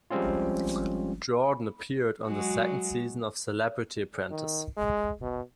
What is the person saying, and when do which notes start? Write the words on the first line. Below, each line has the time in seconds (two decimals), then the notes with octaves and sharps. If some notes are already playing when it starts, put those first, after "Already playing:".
Jordan appeared on the second season of "Celebrity Apprentice".
0.10 F3 G3 G#3 C4 C#4 F4
2.26 F#3 G#3 F#4
4.31 D#3
4.77 G#3
5.22 B2